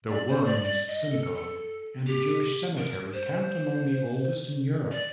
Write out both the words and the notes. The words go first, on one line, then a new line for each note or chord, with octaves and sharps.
The Worms Synagogue and the Jewish Cemetery count among the oldest in Europe.
D5
C5
D5
D5
D#5
A4
A4
G4
A#4
C5
D5